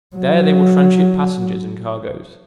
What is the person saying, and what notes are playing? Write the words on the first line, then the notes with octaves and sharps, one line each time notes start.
There they will tranship passengers and cargoes.
F#3